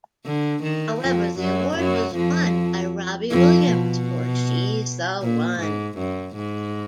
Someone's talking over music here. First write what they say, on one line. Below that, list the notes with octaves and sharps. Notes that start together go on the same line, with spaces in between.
However, the award was won by Robbie Williams for "She's the One".
D3
D#3
F2 F3
F#2 F#3
F#2 F#3
F2 F3
F2 F3
B2
A#2
G#2
F#2
G#2